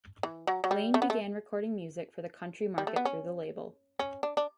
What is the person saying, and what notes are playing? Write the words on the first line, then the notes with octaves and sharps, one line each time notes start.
Lane began recording music for the country market through the label.
E3
F#3
F#3
G3
A3
B3
A3
G3
A3
B3
C#4
C#4
D4
D4